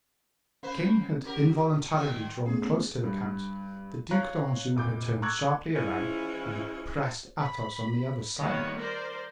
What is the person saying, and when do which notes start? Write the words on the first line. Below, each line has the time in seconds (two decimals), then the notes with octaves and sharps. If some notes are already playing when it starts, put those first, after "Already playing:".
The king had involuntarily drawn close to the count, the Duc d'Anjou had turned sharply round, and pressed Athos on the other side.
0.63 A#3 C#4 B4 C5
1.25 F#4 G4 A#4
1.93 A#2 D#3 A#3 G5
2.46 A3 B3 C#4 G#4
3.04 G2
4.11 C#5 F5 A#5 F#6
4.75 F1 A#2 D6 G6
5.22 A#5 C#6 D6 E6 F#6 G#6
5.75 E3 F3 G#3 C#4 E4
7.39 B5
8.39 D#3 G3 A#3 B3 C#5
8.77 A#4 C5 D5